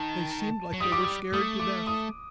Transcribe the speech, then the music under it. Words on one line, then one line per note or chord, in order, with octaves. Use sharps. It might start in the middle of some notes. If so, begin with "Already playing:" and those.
They seemed like they were scared to death.
Already playing: D#3 A5
F#3
G3 D#6
D6
D#6
A3 D#6
D6
D#6